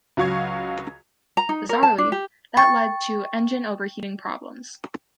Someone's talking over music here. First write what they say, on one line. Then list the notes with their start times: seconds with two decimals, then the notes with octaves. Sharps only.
Bizarrely, that led to engine overheating problems.
0.17 C#2 F#3 F#4 F5 C#6 G#6
1.37 A#5
1.49 D#4
1.69 A#4
1.83 A5
1.98 D4
2.12 G4
2.57 G5 C#6 A6